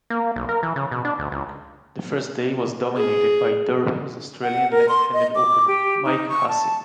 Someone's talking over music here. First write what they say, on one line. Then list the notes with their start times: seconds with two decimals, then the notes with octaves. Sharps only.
The first day was dominated by Durham's Australian left-handed opener, Mike Hussey.
0.10 A#3
0.36 B1
0.49 A#4
0.63 E3
0.76 C#3
0.91 B2
1.05 D4
1.19 D2
1.32 C#2
2.97 G#4
4.43 F#5
4.71 A#4
4.89 C6
5.14 D#5
5.35 D6
5.68 G4
6.05 D#4
6.29 C#6
6.49 A5